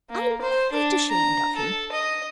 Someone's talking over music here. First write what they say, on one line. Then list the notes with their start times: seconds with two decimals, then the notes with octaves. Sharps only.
I am quite ashamed of him.
0.10 A#3
0.42 C5
0.72 D4
1.09 A#5
1.56 A4
1.92 D#5